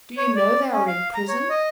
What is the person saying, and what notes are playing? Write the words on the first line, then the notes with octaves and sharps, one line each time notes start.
"Do you know they are in prison?"
C#5
D5
C#4
F5
A#5
C#5
D#5